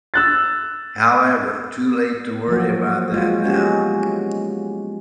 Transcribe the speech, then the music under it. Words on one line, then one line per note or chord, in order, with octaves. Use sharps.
However, too late to worry about that now.
E6 F#6 A6
F3 F#3 A#3 F#4
G#3 F4 F#4
G#3 B3 C#4 F#4 G4